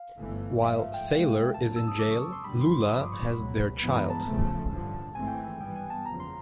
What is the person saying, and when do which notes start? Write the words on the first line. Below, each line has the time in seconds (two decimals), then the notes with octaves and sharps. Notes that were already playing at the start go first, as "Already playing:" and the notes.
While Sailor is in jail, Lula has their child.
Already playing: F5
0.18 G1 G2 E3 A3
0.63 G#2 F3 A3 E5
0.74 E5
0.79 F5
0.94 G5
1.08 C#2 B2 G#3
1.54 G1 F2 D3 F#3 A#3 A5
1.76 E6
1.88 D#6
1.99 G#1 F#2 C#3 D6
2.11 C#6
2.22 C#6
2.32 C6
2.44 G1 F#2 D3 G3 B5
2.61 C6
2.66 B5
2.90 G1 G2 D3 F3 D#6
3.01 D6
3.12 C#6
3.23 B5
3.34 C#2 B2 F#3
3.79 G2 E3 G#3 B3 B5
3.94 A#5
4.10 A5
4.25 E2 C#3 F3 A3
4.70 A1 G2 D3 F3
5.15 G#1 G#2 E3 A3 C4 G#5
5.27 G5
5.37 G#5
5.60 G2 E3 G3 B3 G5
5.76 G#5
5.90 A5
6.05 F#1 E2 C#3 F3 A#5
6.20 C6